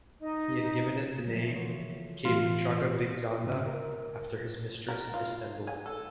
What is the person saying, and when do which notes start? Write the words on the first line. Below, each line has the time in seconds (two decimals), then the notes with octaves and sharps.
He had given it the name "Cape Tragabigzanda", after his mistress in Istanbul.
0.19 D#4
1.24 F3 F#3 A3
1.50 C#3 E3 A3 F4 F#4 C#5
2.25 A2 E3 F4
3.44 G#2 C#3
3.66 A#4
4.88 A#4
5.14 F4
5.67 G#5
5.86 A4